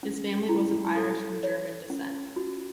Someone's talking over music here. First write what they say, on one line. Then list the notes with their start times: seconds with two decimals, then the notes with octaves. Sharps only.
His family was of Irish and German descent.
0.03 C#4
0.49 E4
0.96 A4
1.43 C#5
1.90 C#4
2.36 F#4